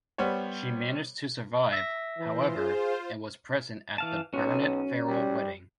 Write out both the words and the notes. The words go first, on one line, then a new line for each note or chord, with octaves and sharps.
She managed to survive, however, and was present at the Bernett-Farrell wedding.
G3 B3 C5 C#5
E5 A#6
E3 F4 C5
G#4
E3 F5 A5
B1 C#4 F#4
G3